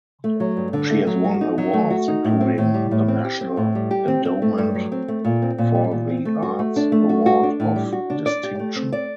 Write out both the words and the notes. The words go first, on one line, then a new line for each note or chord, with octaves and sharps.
She has won awards including the National Endowment for the Arts Award of Distinction.
A3
F#3
G2
D3
A3
F#3
F#4
D#4
F#3
A3
F#4
D#4
A2
C4
A2
G3
A2
C4
G4
C4
A2
G3
G4
C4
C4
A3
G2
F#3
C4
A3
A#2
C4
A#2
G3
A#2
C4
A3
F#4
A3
D4
A3
F#4
F#4
D4
A2
G3
F#4
D4
D5
G4
A3
C4
D5